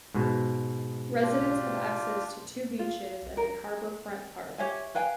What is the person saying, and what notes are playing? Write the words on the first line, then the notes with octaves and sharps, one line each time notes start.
Residents have access to two beaches and a harbor front park.
G#2 B2
D4 F4 G4
F4
A#4
G4 C#5 E5 G#5
B4 F5 G5 G#5